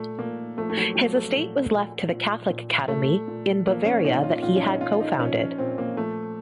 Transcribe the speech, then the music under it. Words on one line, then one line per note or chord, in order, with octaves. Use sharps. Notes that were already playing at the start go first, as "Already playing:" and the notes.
His estate was left to the Catholic Academy in Bavaria that he had co-founded.
Already playing: A#2 A3
A#2 A#3
F3 A3
A3
F#3
F3 F#3
A3
A#2
A#2
A#2
A#2
A#2 A3
A#2
F3 A#3
C#4
A#2 D#4
F4
A#2 F4
C#4
D#4
A#2 F4
D#4
F3 C#4
C#4
A#2 C4
A#3
F3 A3